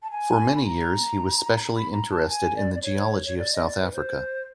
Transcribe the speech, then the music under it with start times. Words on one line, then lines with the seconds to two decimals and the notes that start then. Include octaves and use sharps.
For many years he was specially interested in the geology of South Africa.
0.03 A5
0.11 G#5
0.55 B5
0.65 A#5
1.75 B5
1.92 A#5
2.10 A5
2.29 G#5
2.56 D5
2.74 D5
2.83 C#5
3.26 C#5
3.38 D5
3.54 D#5
3.66 D5
3.81 B4
3.93 C5